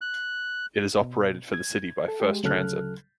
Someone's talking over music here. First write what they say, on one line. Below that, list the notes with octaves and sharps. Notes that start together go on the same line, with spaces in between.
It is operated for the city by First Transit.
F#6
B2
G#6
A4
G#3 G4
D2 C#3 F#3 A4 F6 F#6